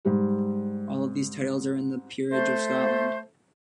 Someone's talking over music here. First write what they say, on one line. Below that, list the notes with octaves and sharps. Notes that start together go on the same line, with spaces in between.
All of these titles are in the Peerage of Scotland.
G#2 G3 G4
A3 C5